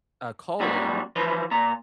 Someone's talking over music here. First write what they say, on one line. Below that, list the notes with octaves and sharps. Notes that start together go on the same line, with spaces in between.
a calling
F#2 A#2 G3 F#4
E3 F3 B4 C5
A#2 A#5